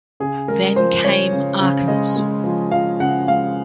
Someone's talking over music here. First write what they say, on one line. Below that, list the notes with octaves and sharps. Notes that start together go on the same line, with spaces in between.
Then came Arkansas.
C#3 G#4
G#3 A#4
F3 C5
C#3 C#5
C#3
C#3
G#3 D#5
G#3
F3
F3 F5
C#3 F#5
G#3 F5